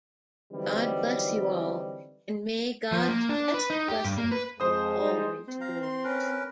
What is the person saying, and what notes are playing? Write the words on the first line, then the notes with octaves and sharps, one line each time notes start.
God bless you all and may God's best blessings be always yours.
D3 E3 F#3 G3 C4 D#4
F3
A#3
D4
B4
D#4
G4
G2
A#3
B4
F2 G#3 C5 D#6
G3 D#4
C4
F5 A#5
C6
C#4 A#4 B4